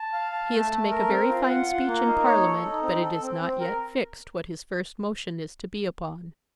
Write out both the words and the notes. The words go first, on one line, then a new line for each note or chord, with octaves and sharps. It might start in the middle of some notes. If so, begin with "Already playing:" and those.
He is to make a very fine Speech in Parliament, but it is not yet Fixed what his First Motion is to be upon.
Already playing: A5
F5
A5
A3
A3
A#4
C4
F4
F#5
F4
A#3
D#4
C#5
A4
D#4
C4
A4
C4
C4
A#4